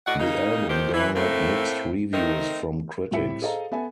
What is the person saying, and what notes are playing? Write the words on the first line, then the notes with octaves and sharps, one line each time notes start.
The album garnered mixed reviews from critics.
A2 F#4 D5 D#5 F#5
C#3 A#3 D#4
F2 D#3 G4 C5
E3
A2 A3 A#3 C4
D#3 A3 C4 D#4 A#4
A2 G3 C4 E4 E5 C#7
G#4 A4 C5 D#5 F5 A#5
B3 A4 E5 G#5